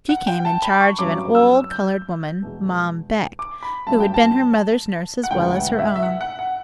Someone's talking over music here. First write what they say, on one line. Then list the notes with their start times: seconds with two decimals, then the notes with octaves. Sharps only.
She came in charge of an old coloured woman, Mom Beck, who had been her mother's nurse as well as her own.
0.09 F#5
0.27 G5
0.45 A5
0.62 B5
0.81 C#6
0.99 G2 F#3 C#4 D6
1.35 E6
1.71 G6
2.42 E1 E2 B2
3.39 D6
3.63 B5
3.87 G2 F#3 A3 C#4 A5
4.00 G5
4.14 A5
5.24 F#5
5.31 E1 D2 C#3 E3 G5
5.55 F#5
5.79 E5
5.96 E5
6.03 F#5
6.21 F#5
6.39 F#5